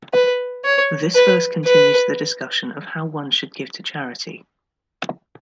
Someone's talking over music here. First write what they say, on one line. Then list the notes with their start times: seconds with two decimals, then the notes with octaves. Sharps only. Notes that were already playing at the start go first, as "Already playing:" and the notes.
This verse continues the discussion of how one should give to charity.
0.14 B4
0.64 C#5
1.15 B4
1.65 B4